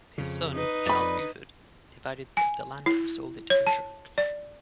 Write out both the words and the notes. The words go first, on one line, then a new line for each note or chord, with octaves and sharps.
His son, Charles Buford, divided up the land and sold it in tracts.
F2 C#3
D#4 B4
F2 D5 B5
G#5
E4
C#5
A5
D5